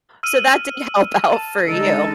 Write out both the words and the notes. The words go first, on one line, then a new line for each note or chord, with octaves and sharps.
so that did help out for you.
E6 F6 D#7
A5
D3 G#3 D#4 A4